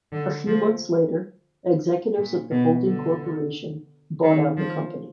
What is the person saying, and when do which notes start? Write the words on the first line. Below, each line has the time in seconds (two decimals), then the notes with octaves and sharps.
A few months later, executives of the holding corporation bought out the company.
0.12 D3
0.47 F3
2.18 A#2
2.51 B2
2.86 D3
4.23 D#3
4.57 F3